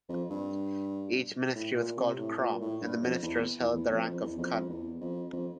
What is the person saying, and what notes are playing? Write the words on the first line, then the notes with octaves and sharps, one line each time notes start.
Each ministry was called "Krom" and the ministers held the rank of "Khun".
F2
G2
A2
A#2
C3
A2
A#2
A2
G2
F2
E2
E2
E2
F2
F2
E2
F2
F2
E2
F2
F2